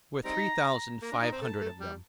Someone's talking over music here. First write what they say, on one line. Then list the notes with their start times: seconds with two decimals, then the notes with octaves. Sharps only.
There were three thousand five hundred of them.
0.24 G3 C4 D#4 A#5
1.02 A#3 A#5
1.12 D4
1.22 D#4
1.32 C4
1.41 A3 A5
1.61 A3
1.80 G3